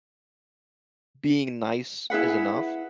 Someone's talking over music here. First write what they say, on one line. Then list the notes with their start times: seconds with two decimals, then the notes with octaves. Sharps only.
being nice is enough?
2.10 E4 G#4 B4 F#5